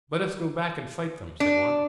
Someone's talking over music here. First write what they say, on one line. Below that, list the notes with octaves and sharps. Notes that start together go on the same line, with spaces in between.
"Let us go back and fight them," said one.
D4